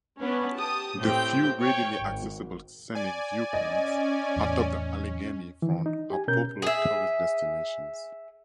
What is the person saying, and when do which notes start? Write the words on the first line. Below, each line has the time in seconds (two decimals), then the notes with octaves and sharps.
The few readily accessible scenic viewpoints atop the Allegheny Front are popular tourist destinations.
0.21 B3 C#4 D4 B4
0.55 G4 A5 D#6
0.99 A2 C4 G4 G5 G6
1.60 C#5 G5
1.97 G#1
2.95 D5 G#5
3.53 C#4 D#5
4.36 E2 A2
5.62 D#3 E3
5.86 D#4
6.10 G4 G#5
6.28 B2 C#4 A#4 G6
6.62 G#4 E5